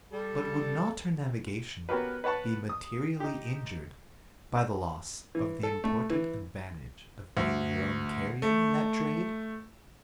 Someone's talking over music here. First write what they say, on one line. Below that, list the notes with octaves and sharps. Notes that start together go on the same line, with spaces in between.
But would not her navigation be materially injured by the loss of the important advantage of being her own carrier in that trade?
G3 A4
B3 C#4 F#4 G4 A#4 B4
B4 C#5 F#5 A5 C#6
D#6
D#4 G4
E3
A4
A3
E3
D2
A3